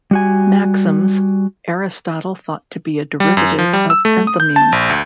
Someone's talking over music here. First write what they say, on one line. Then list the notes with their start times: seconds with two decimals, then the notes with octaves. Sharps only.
Maxims, Aristotle thought to be a derivative of enthymemes.
0.11 G3 F#4 G#5
3.20 G3
3.37 F#2
3.59 F3
3.73 G3
3.90 E6
4.05 A3
4.27 D#6
4.40 G6
4.56 A5
4.72 A#1
4.89 D2